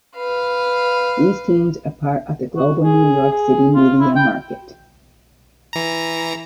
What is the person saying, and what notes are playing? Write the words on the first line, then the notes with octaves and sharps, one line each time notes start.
These teams are part of the global New York City media market.
B4 F5
F#4
G#4
G#4
F4
E4
G5
E3 A#5